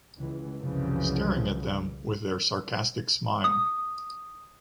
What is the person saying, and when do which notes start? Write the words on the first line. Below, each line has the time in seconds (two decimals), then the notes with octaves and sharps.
Staring at them with their sarcastic smile.
0.17 C#2 E3
0.60 C2 F#2 C#3 E3 F3
3.44 D#6